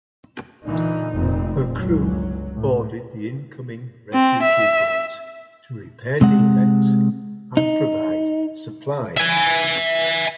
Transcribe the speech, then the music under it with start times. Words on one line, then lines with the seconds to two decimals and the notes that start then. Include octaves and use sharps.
Her crew boarded the incoming refugee boats to repair defects and provide supplies.
0.65 A#2 D3 E3 D#4
1.13 F1 A#2 C4
1.75 G1 C#2 F#3
2.55 A2
4.13 C4
4.42 E5
6.21 C3 G#3 F#5
7.57 D#4
9.17 E5 G#5